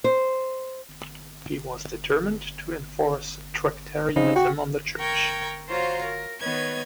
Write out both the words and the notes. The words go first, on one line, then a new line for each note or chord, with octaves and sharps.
He was determined to enforce Tractarianism on the Church.
C5
C#3 C4 D#4
F#4 G5
A#4 G5 A#5 C#6 G#6
F4 F#4 C5 C#5 F5 A#5
A#4
D#3 B3 B4 C#5 D#5 G#6